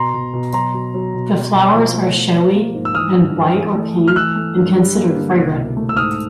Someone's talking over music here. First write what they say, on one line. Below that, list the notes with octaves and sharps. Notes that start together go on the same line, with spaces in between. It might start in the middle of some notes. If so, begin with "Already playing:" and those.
The flowers are showy and white or pink, and considered fragrant.
Already playing: B2 A#5 C6
B2
B2
F#3 A#5 C6
F#3
F#3
B2
B2
B2
F3
A3
F3
F3
A#3
G#2
E6
E3 D#6 F6
G2
E3
E3
A3
A3
F6
E3 E6 F#6
A3
G2
G3
A#3
D3
C2
B2
A3
E6
G#2 D#6 F6